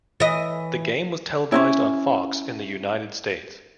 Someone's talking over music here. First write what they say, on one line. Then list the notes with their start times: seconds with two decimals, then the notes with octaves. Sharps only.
The game was televised on Fox in the United States.
0.20 E3 D#5
1.52 C#4 D#4 E4